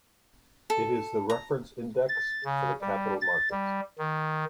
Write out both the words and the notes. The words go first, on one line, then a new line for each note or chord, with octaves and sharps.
It is the reference index for the capital markets.
A4
A#5
A6
C#3
G3
A6
G3
D#3